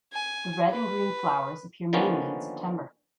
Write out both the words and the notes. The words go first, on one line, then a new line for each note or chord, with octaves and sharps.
The red and green flowers appear mainly in September.
G#5
B4
D3 D#3 F3 A#3 B3 C#4